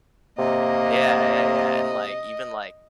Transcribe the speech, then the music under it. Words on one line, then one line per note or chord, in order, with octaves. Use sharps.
Yeah, yeah, yeah, and, like, even, like,
C3 A#3 D#5